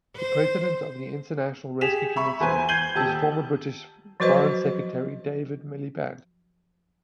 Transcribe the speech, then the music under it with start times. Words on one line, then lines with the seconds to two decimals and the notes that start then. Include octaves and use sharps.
The President of the International Rescue Committee is former British Foreign Secretary David Miliband.
0.16 C5
1.81 G4 G#4 B6 E7 F7
2.16 E5 B5 C#6
2.40 E2 B4 C5 G#5
2.68 G6 G#6 C7 D#7 F#7 G7
2.95 D#1 G4 A5 E6
4.20 F3 F#3 F#4 B4 C5 D#5